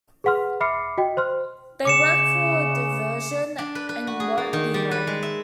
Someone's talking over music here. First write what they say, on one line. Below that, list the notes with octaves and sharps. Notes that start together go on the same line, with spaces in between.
They work for diversion and won't be hurried.
G#4 B4 F#5 C6 F6
E5 B5 D6 F6 C7 C#7
F#4 D#5 G5
C5 C6 F6
C#3 D6 C#7 E7
D4
B4
B4
F#4
G#4
A#3
D#3
G3
B4
G#3
E5